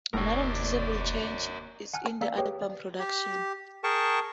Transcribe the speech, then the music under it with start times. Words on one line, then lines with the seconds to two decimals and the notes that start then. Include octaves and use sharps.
Another noticeable change is in the album's production.
0.14 F1 D#2 A2 C3 A#4 C#5 D5
1.94 F#5 G#5 A5 F6 F#6
2.21 A#3 D5 F5 A#5 E6 B6
2.38 G4 G#4 B4 C#5 G5
2.61 D5
2.99 G4
3.84 G#4 A#4 G5 A5 C#6